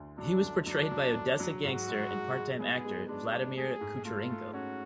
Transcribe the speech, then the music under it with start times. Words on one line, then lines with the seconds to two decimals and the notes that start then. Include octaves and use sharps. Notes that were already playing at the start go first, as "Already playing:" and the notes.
He was portrayed by Odessa gangster and part-time actor Vladimir Kucherenko.
Already playing: D2 D3
0.18 F#3 D4
0.42 D3
0.66 F#3 D4
0.91 F#3
1.14 D3
1.40 F#3
1.63 G#2 F#4
1.88 G#3
2.11 G#2
2.36 G#3
2.60 B3 G#4
2.84 G#3
3.08 G#3 D4
3.33 G#3
3.57 A3 G#4
3.81 G#2
4.05 A3 F4
4.30 A3
4.53 C#4 F#4